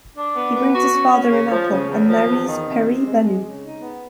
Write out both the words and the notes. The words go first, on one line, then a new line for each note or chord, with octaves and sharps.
He brings his father an apple and marries Peri-Banu.
D4
B3
B3
F#4
C#4
C#4
C#3
F3
C#3
E2
F3
E2
D#3
C3
C3
G#3
G#3
C#3
D#4
B3